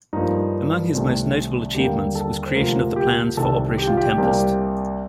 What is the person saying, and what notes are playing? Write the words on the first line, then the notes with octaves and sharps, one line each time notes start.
Among his most notable achievements was creation of the plans for Operation Tempest.
G2 F3 A#3 D#4
C2 C3 D#3 A3
D#2 D3 G3 A#3 G4
A4
C5
D2 C3 F3 A#3 A#4
G4
C2 C3 D#3 A4
G4
F4
G4
C2 C3 G3 A#3